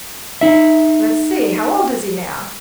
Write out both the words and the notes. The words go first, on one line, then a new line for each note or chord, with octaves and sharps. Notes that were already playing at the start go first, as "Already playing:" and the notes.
"Let's see--how old is he now?"
D#4 E5